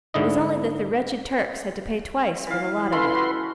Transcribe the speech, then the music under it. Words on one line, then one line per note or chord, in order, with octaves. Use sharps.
It was only that the wretched Turks had to pay twice for the lot of it.
G#2 D3 E4 D#5
E3 F5
C#4 F4 A4 B4 C6
F#4